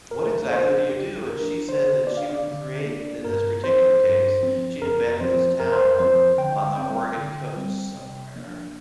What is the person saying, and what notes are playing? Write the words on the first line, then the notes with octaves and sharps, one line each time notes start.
"What exactly do you do?" And she said that she would create in this particular case, she invented this town on the Oregon Coast somewhere.
F2 A#4
F3 D4 C5
F2 G4
F3 D4 A#4
D3 C5
A#3 D4 D5
F5
D5
D3
A#3 D4
G2 A#4
F3 C4 C5
G2
F3 C4
F2 A#4
F3 C4 C5
F2 A#4
C5
A#4
F3 C4 C5
D3 G5
G3 C4 G5
D3
G3 C4
C3
F3 A#3 D4